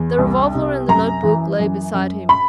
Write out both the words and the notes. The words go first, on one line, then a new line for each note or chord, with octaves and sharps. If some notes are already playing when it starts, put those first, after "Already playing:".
The revolver and the notebook lay beside him.
Already playing: E2
C2
C3
F#2 A#5
E3
F#2
F#2
B5